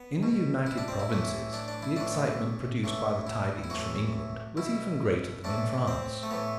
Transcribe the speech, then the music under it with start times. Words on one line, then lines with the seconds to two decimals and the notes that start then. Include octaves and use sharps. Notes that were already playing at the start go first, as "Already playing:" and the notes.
In the United Provinces the excitement produced by the tidings from England was even greater than in France.
Already playing: B3
0.23 B2
0.66 E4
0.78 D4
0.88 C4
0.99 E4
1.10 A2 E3
1.53 D4
1.68 D4
1.82 E4
1.96 A2 E3 D4
2.84 A2 E3
3.27 E4
3.64 E4
3.70 A2 E3 F#4
4.57 B2 E4
5.44 A2 E3 D4
5.88 C4
6.23 A3
6.31 A2 E3 B3